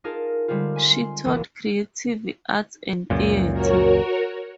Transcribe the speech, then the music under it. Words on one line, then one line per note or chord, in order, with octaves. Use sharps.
She taught Creative Arts and Theatre.
D#4 F4 G#4 A#4 A5
D3 G3 G#3 C4 F4
G#5 C6
F#1 B1 E3 A#3
C#2 F#2 A#2
F#4 A#4 C#5